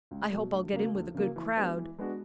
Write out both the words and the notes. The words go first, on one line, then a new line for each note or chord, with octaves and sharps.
I hope I'll get in with a good crowd.
C#2
B2 F#3 A3
D2
C#3 F#3 A#3
D2
C#3 F#3 A#3
E3
G#3 B3 D4 F#4
E3
G#3 B3 D4 F#4